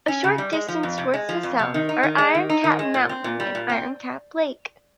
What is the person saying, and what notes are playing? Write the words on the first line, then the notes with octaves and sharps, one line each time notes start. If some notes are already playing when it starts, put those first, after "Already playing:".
A short distance towards the South are Iron Cap Mountain and Iron Cap Lake.
C#4
C#3
G3
G#3
F3
F2
C3
G#3
F3
F2
C3
D#3
D#4
D#3
G#3
D#3
D#4
D#3
G#3
A#2
C4
A#2
G3
A#2
C4